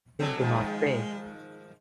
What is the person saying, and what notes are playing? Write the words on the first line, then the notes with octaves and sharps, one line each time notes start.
They do not pay.
D3 F#3 G#3 C4
G#2 D#3 F3 G#3